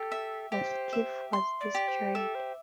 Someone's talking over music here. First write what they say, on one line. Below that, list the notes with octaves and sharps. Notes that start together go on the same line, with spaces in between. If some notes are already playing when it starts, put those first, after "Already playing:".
The skiff was destroyed.
Already playing: G4 A4
E5
G4 C5
E5
C6
D5
G4
C5
A4 E5
C5